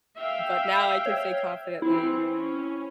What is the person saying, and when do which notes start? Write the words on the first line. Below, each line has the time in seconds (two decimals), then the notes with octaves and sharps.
but now I can say confidently
0.18 E5 F5 G5
1.06 C#5
1.82 E3 C4 E4
2.29 C#4